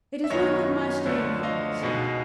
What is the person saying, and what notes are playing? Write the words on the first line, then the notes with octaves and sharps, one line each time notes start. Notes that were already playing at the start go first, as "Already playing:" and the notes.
"It is no good my staying here," he said.
E5
F#2 D#3 F#3 B3 D#4 C#5 D#5
D2 D3 F3 A3
D#5 F5
C#2 B2 G#3 B3 D#4